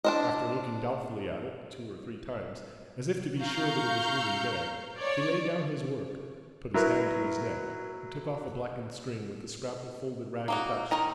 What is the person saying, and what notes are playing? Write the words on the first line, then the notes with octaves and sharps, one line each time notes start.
After looking doubtfully at it, two or three times, as if to be sure that it was really there, he laid down his work, put his hand to his neck, and took off a blackened string with a scrap of folded rag attached to it.
D4 C5 D#5
F5 A#5 C#6 F6 G6
C#5 D5
F#3 E4 A#4 B4
A#3 D#4 F#4
D#3 A#4 D#5 A#5